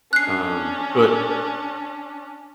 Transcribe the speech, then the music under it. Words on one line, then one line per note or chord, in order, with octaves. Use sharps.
um but
C#4 D4 F#6 C7